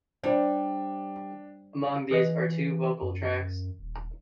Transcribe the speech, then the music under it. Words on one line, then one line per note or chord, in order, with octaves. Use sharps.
Among these are two vocal tracks.
G3 D4 C5
E3 G#4 B4 D#5
F#2
D#1